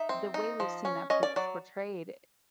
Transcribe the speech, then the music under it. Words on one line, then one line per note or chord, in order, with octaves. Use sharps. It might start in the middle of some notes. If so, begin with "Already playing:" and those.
the way we've seen that por portrayed,
Already playing: D#4 E5
C4
D#4
F3
C#4
C#4 D#5
D5
F#3 D5